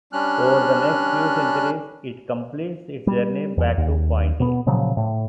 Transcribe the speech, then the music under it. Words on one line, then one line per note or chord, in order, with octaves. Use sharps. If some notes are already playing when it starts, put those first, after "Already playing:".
Over the next few centuries it completes its journey back to point A.
G3 C#4 D4 F6 F#6
G3
E2
D#2
B2 B3
A#2 C#3 F3 F#3
A2